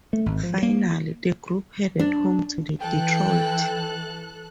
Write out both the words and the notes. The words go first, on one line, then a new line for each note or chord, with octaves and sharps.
Finally, the group headed home to Detroit.
A3
G#1
F3
A#3
D4
E3 A4 G5 F#6